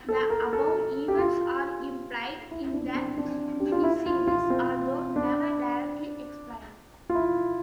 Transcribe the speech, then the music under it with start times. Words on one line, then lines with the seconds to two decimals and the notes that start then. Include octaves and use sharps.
The above events are implied in the miniseries, although never directly explained.
0.09 A4
0.30 A#4
0.53 A4
1.08 G4
1.19 F4
2.51 E4
2.68 E4
2.73 D4
2.95 C4
3.18 D4
3.60 G4
3.72 F4
3.83 E4
4.06 F4
4.28 F4
4.50 C4
5.16 D4
7.10 F4
7.15 E4